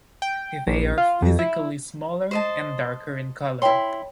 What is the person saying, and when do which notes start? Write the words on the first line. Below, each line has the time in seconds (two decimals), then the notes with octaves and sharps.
They are physically smaller and darker in color.
0.22 G5
0.67 A#1
0.98 F4
1.22 F2
1.39 E4
2.31 C5 D#5 A5
3.62 E4 C#5 G5 B5 C6